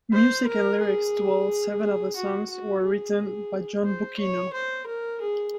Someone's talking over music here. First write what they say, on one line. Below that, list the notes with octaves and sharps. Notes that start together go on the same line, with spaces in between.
Music and lyrics to all seven of the songs were written by John Bucchino.
C5
A#4
G#4
G#4
F#4
F#4
G#4
C5
C#5
C5
A#4
G#4